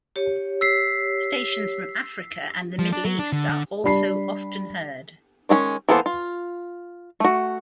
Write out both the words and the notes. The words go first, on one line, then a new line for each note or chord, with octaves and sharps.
Stations from Africa and the Middle East are also often heard.
G4 C#5
E6 B6 C7
F3
D4
F#3
D4
D3
D3
G3 D4 B5 C7
D#3 G#3 C4 C#4
E3 A#3 B3 A4 C5
F4
A3 F#4